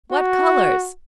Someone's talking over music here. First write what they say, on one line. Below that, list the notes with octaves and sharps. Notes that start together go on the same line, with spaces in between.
What colours!
F#4